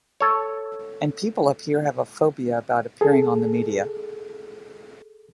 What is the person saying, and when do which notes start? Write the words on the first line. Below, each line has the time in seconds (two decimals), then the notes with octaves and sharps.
And people up here have a phobia about appearing on the media.
0.20 A4 C#5
3.01 G#4 A4